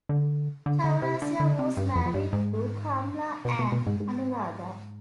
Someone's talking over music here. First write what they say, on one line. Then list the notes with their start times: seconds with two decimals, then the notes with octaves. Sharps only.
Chaurasia was married to Kamla and Anuradha.
0.09 D3
0.66 D3
0.84 D3
1.02 C3
1.22 D3
1.40 D3
1.59 C3
1.77 G2
1.95 F2
2.06 F2
2.14 G2
2.33 G#2
3.45 B2
3.59 B2
3.72 B2
3.87 G#2
4.00 G#2